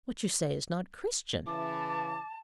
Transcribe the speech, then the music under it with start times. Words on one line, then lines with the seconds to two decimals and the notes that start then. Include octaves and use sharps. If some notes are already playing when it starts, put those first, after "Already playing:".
"What you say is not Christian."
1.46 C#3 E3 A5 D6